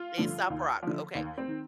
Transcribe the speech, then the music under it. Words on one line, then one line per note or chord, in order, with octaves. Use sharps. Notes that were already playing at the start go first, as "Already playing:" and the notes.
Aesop Rock, okay.
Already playing: F4
G2 D3 F3
D#2
D3 F3
D#2
C4
D#3